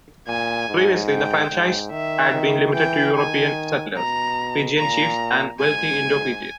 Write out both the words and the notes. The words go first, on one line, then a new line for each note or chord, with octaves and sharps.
Previously, the franchise had been limited to European settlers, Fijian chiefs, and wealthy Indo-Fijians.
A#2 G#5
G#2
G5
G#2
D#3 E5
D#3
E3 G5
D#3 G#5
B2 A#5
A#2 A#5
G#2 G#5
G#2